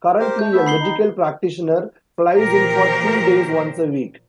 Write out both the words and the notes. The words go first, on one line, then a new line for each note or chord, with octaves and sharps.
Currently a medical practitioner flies in for two days once a week.
G4 A#4 C5
A3 G6
A3 B3 E5
B5 C7 G7
D#3 D#4
A#2 E3 F3 G4 A#4 C5